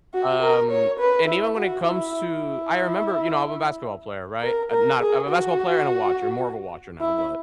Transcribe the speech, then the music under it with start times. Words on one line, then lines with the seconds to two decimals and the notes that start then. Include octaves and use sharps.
um, and even when it comes to I remember you know, I'm a basketball player, right, I'm not I'm a basketball player and a watcher, more of a watcher now, but
0.14 F#4
0.42 A#4
0.71 C#5
1.00 B4
1.28 E4
1.57 F#4
1.85 E4
2.29 E4
4.43 A#4
4.71 A#4
5.01 G#4
5.29 F#4
7.01 E4